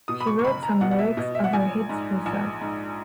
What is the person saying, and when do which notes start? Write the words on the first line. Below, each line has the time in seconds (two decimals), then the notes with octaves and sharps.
She wrote some lyrics of her hits herself.
0.08 B2 D#6
0.20 B5
0.27 C#6
0.39 C#6
0.45 F#1 B5
0.63 A#5
0.81 B2 F#5
0.91 F#5
0.99 E5
1.17 B2 D#5
1.35 E5
1.44 F#5
1.53 A#1 G#5
1.89 G#2
2.26 A#1
2.61 G#2